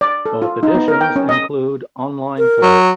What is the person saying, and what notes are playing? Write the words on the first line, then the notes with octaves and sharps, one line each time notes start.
Both editions include online play.
D5
A4
F4
D#4
B3
A#4
G5
C#4
D#5
A#4
F#3